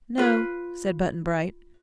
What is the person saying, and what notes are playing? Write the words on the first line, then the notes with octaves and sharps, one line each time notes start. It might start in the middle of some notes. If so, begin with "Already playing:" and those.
"No," said Button-Bright.
F4 B4